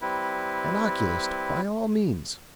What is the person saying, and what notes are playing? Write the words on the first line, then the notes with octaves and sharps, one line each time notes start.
An oculist, by all means.'
G3 C4 E4 B4